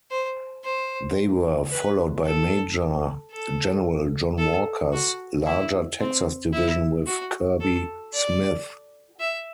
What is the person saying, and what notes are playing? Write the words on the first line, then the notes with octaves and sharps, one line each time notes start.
They were followed by Major-General John Walker's larger Texas division with Kirby Smith.
C5
C5
B4
A4
A4
A4
F#4
E4
C4
E4
F#4
A4
D5
E5